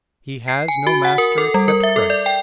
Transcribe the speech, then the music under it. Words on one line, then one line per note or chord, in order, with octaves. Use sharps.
He has no master except Christ.
C7
G#5
F#4
F#5
A#4
A4
G3
A#4
E5
A4
D5
G5